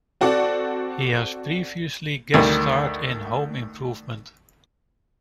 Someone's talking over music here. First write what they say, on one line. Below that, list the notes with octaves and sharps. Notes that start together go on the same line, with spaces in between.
He has previously guest starred in "Home Improvement".
C4 F#4 A4 D5 F#5
D2 D#3 G3